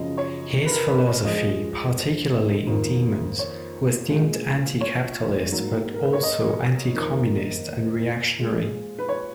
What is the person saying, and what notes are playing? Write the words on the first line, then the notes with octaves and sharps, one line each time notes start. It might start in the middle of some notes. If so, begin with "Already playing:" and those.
His philosophy, particularly in "Demons", was deemed anti-capitalist but also anti-Communist and reactionary.
Already playing: F#2 C#3 F3 D#5
C#5
B4
A#4
B4
C#5
F2 F3 G#3 D#5
F2 D#3 A#3
C#5
A#2 G#3
C#5
G#2 F#3 A#3
A#4
B4
C#5
D#5
F2 D#3 A#3
A#2 G#3
B4
C#5